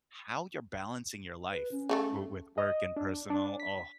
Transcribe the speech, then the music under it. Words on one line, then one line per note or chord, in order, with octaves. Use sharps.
how you're balancing your life w with work and personal ugh.
B4
C#4
C#3 A3 A4
D#5
D4
D4
B6